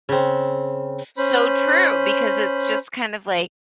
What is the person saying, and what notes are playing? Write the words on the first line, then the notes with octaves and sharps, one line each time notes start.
so true because it's just kind of like,
C#3 C4
C#4 C5 B5